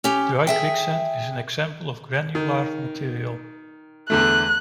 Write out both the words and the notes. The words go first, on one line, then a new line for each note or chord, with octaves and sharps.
Dry quicksand is an example of a granular material.
C#4 G4
G#4 E5 G5
D#3
E2 D3 A3 F#6